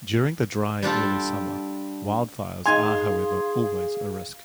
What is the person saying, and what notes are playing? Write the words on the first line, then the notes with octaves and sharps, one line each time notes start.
During the dry early summer wildfires are however always a risk.
G3 D4 F4 A4
D#4 G#4 F5 G#5 C6 G#6